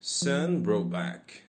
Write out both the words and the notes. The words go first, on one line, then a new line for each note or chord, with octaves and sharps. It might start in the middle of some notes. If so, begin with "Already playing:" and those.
Sam Brownback.
F3